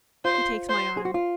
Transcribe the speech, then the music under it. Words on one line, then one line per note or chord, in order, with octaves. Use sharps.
He takes my arm.
F4 C5
C5
G#4
F#4
F4